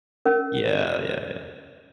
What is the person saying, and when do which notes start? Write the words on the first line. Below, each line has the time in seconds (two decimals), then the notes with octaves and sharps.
Yeah, yeah, yeah.
0.25 C#4 A#4